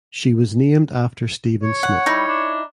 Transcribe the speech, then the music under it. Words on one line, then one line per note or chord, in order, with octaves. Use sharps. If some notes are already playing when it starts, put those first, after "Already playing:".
She was named after Stephen Smith.
C#5
F#5
G3 D#4 E4
D4